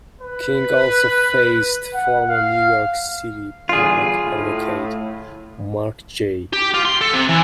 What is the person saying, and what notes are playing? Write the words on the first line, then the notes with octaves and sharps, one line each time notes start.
King also faced former New York City Public Advocate Mark J.
B4
F#5
F5
E2 D3 G3 F4 G#4
A2
G4
F4
C6
A4
C3
E3